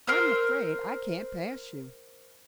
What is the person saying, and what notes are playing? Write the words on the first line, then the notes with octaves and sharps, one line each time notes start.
"I'm afraid I can't pass you."
A#4 C5 E6